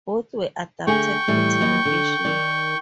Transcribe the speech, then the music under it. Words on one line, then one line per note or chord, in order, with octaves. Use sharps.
Both were adapted for television.
D3 A3 G#4 G5 C#6
A2 E3 G3
D#2 F#3 D#5
D3
D#3 D5